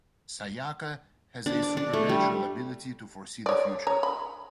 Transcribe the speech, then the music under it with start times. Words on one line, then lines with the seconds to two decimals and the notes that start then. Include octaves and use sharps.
Sayaka has a supernatural ability to foresee the future.
1.46 D4
1.63 D6
1.77 D4
1.93 A3
2.09 G3
3.46 C#5 D5
3.87 C#5 A#5
4.03 B5